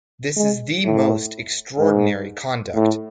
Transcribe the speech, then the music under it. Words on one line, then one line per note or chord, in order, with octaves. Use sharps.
This is the most extraordinary conduct!
G#3
A2
G#2
A2